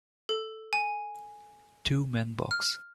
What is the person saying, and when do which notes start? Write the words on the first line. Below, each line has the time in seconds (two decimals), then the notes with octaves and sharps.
Two men box.
0.29 A4
0.73 G#5
2.51 F6